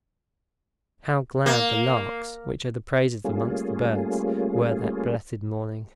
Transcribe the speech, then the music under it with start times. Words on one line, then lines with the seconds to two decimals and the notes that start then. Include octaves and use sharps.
How glad the larks, which are the praisers amongst the birds, were that blessed morning!
1.46 A#3
3.24 G3 A3 A#3 C#4 F4 G#4